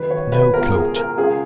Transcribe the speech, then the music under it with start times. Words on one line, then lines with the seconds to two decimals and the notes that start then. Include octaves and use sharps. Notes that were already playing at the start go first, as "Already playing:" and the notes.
No coat!
Already playing: F#2 D#3 B4
0.10 C#5
0.32 B4
0.53 C#2 B2 A#4
0.74 G#4
0.96 A#4
1.18 C#2 C#3 G#4